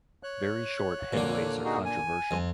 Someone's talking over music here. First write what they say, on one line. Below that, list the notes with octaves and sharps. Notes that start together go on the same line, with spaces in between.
Very short headways are controversial.
C#5 F#6
A#2 D3
D#4 F#4 G#4
G#5
F2